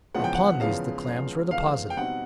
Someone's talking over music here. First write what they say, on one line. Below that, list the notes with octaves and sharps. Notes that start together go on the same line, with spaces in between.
Upon these the clams were deposited.
E2 C#3 F3 G#3 B3 F#5
G5
F#5
E2 C#3 F3 G#3 B3 F5
E2 C#3 F3 G#3 B3
E2 C#3 F3 G#3 B3 F5
G5
B2 G3 C4 D#4 F#5